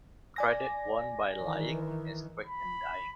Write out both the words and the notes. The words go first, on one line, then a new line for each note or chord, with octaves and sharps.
Credit won by lying is quick in dying.
D5 G#5 A#6
D#3 E3
B5